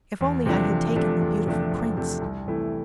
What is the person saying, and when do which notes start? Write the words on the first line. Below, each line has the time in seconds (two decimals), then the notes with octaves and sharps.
'If only I had taken the beautiful Prince!
0.21 E2
0.46 C3 F3 A3 D4
0.71 E2
0.96 C3 F3 A3 D4
1.21 E2
1.46 C3 F3 A3 D4
1.71 E2
1.97 C3 F3 A3 D4
2.21 C2
2.47 C3 E3 A3 E4